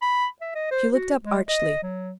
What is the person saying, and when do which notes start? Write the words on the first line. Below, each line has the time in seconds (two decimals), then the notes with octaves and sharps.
She looked up archly.
0.02 B5
0.41 E5
0.55 D#5
0.71 C5
0.92 F#4
1.24 G#3
1.48 D#5
1.83 F#3